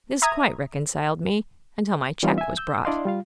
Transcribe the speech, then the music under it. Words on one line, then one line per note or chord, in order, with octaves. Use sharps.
This quite reconciled me, until my check was brought.
E5 A#5 D#6 G#6
E3 G3 B3 C#4 D#4 F4
E5 G#5
E6 G6
D4 E4 D5 D#5 F5 C6
G3 F4 F5